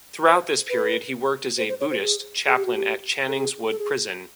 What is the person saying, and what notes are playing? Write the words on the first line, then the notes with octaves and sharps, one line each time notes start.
Throughout this period he worked as a Buddhist chaplain at Channings Wood Prison.
C5
B4
C5
C5
C#5
C5
G#4
G#4
G4
F#4
G4
A4
G#4
A4
G#4